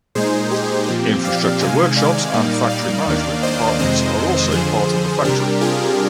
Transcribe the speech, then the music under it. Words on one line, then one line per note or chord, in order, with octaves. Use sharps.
Infrastructure workshops and factory management departments are also part of the factory.
A#2 G#3 D#4 G#4 C5
G4
A#2 F3 C4
D5 F5
C3 D#3 G#3 F5 G#5
D5 F5
A#2 G3 A#3 D#4
D5 F5
D#2 D#3 A#3 D4
C5 D#5
F2 C3 D#3 G#3 C4 C5 D#5
F2 D3 F3 G#4 C5
C3 G3 D4 G4 A#4
F4 G#4